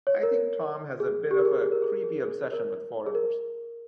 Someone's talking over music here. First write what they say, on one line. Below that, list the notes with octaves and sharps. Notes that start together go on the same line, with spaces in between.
I think Tom has a bit of a creepy obsession with foreigners.
C#5
A#4
G#4
G4
A#4
G#4
G#4
A#4
G#4
A#4
G#4
A#4
G#4
A#4
G#4
A#4